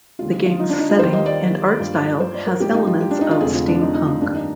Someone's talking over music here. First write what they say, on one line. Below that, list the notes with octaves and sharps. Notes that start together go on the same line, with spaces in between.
The game's setting and art style has elements of steampunk.
D#2 D3 G#3 F4
F4
F4
D#4
D4
D#4
F4
D#2 D#3 G3 A#3 C5
D#5
D5
G2 F3 A#3
C5
D5
A#4
G#1 G#2 F3 G#3 G4
D#4
F4
G4
D4
D#4
F4
F1 F2 D3 G#4
F4
D4
D#4
D#4
F4
G2 D#3 A#3 D4
D#4